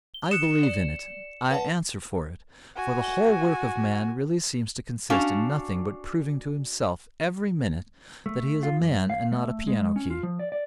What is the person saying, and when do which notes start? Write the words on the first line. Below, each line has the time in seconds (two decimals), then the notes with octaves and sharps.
I believe in it, I answer for it, for the whole work of man really seems to consist in nothing but proving to himself every minute that he is a man and not a piano-key!
0.14 G7
0.31 D#6 F#6 C#7 E7
0.63 D5
1.51 B4 F#5 A5
2.76 F#4 G#5
5.10 C#4 D4 F#4 F5 A5
8.26 A3
8.63 F4
8.80 F#2
9.10 F5
9.32 A3
9.67 G#3
9.96 C#4
10.10 F4
10.23 F3
10.39 D5
10.52 D5